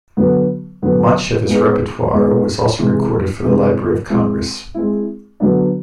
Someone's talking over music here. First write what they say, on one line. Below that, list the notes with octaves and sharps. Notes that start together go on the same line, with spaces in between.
Much of his repertoire was also recorded for the Library of Congress.
D3 F#3 B3
D3 F#3 B3
G#3 B3 D#4 G#4
G#3 B3 D#4 G#4
C3 E3 G#3
C3 E3 G#3
G#3 C4 E4
G#3 C4 E4
D3 F#3 B3 D4